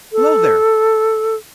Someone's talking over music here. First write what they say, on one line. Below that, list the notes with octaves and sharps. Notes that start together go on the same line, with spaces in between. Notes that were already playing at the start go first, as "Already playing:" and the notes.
Below there!
A4